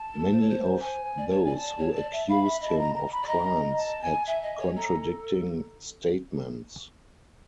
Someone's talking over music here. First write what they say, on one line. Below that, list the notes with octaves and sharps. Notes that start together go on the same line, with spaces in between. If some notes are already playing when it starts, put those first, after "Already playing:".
Many of those who accused him of crimes had contradicting statements.
Already playing: A5
A#4
A4
C5
C#5
C5
G#5
D5
C#5 A5
D5 G#5
A5
D5
C#5
D5
E5
F5 B5
E5
D#5
A5
A#5
A#5
B5
D5
D#5 A#5
A5
G#5
E5 G#5
D#5
C#5
A4 A#5